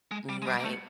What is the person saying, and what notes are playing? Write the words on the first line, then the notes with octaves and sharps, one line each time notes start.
Mm right.
G#3
G3
G#3
G3
A#3
A3